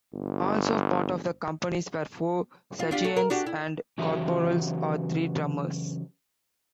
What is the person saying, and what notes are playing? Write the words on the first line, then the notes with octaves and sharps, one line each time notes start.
Also part of the companies were four sergeants and corporals and three drummers.
G1
F4
D4 F4 G4
A3
A#4
D4 F#4 G4
E4
C#3 E3 F#3 G4 E5